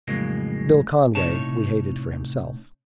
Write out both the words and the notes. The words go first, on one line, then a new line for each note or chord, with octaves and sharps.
Bill Conway we hated for himself.
F2 A2 C#3 F#3 G#3 A#3
A2 C3 C#4 D#4 C#5 A5